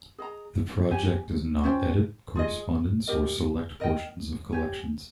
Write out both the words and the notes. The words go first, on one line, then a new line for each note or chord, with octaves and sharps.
The project does not edit correspondence or select portions of collections.
G#4 D#5 A#5
G4 C#5 G#5
C#4 F4 C5 G5
F4 G#4 D#5
G4 A#4 D#5
A#4 D#5 G5
G4 C#5 G#5